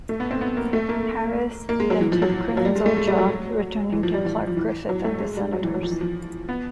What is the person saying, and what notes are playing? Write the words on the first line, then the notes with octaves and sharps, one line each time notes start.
Harris then took Cronin's old job, returning to Clark Griffith and the Senators.
A3
B3
C4
B3
A#3
A3
A#3
A#3
G#3
F#3
E3
F3
F#3
F#3
G3
G#3
A3
G#3
G3
F#3
E3
F3
G3
E3
F3
E3
F#3
A3
G#3
G3
F#3
E3
F#3
F3
E3
F3
B3